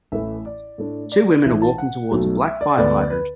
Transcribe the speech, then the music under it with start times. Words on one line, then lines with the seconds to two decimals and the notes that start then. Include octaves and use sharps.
Two women are walking towards a black fire hydrant.
0.12 A1 A2 E3 A3 E4 E5
0.46 D5
0.78 A2 A3 D4
1.12 D5
1.45 A1 A2 E3 E5
1.62 A5
1.78 F#5
2.11 B1 B2 F#3 A3
2.44 E5
2.61 D5
2.77 D2 D3 B3 D5
3.10 B4